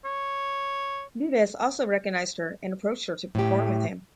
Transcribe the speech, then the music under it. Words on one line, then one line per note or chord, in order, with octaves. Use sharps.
Vives also recognized her and approached her to perform with him.
C#5
A2 G4